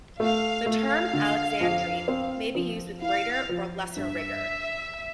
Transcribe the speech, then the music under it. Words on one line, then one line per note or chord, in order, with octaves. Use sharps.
The term "alexandrine" may be used with greater or lesser rigor.
A3 F5
A3 F5
D3
F2
C4
F3
E4 F5
F3
G2 E5